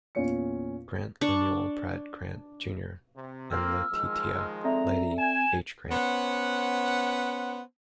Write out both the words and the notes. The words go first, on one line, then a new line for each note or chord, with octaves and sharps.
Grant, Lemuel Pratt Grant, Junior and Letitia "Lettie" H. Grant.
E2 A#2 C#4 F4 C#7
D4 C#6
C3
A#3 C4 F4 E6 F6
D#3 F3 G#3
C4 A4 D5 E5 A#5
G#5 E7
B3 C#4 C5 F#5